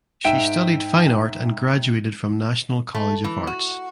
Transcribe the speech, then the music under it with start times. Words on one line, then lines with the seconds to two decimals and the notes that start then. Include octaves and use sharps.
She studied Fine Art and graduated from National College of Arts.
0.25 G#2 E5 G5 D7
2.95 A3
3.24 E3
3.47 F#4